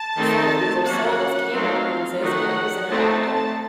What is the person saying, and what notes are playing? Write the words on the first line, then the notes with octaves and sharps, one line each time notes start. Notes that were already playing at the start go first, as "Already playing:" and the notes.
Some of these are sold as K-mount lenses but use an adapter.
Already playing: A5
D#3 A3 C4 D#4
F#3 A#3 C#4 F#5
F#3 A3 C4 D#4 F5
D#3 F#3 A3 D#4 F#5
A3 C4 D#4 A5
A5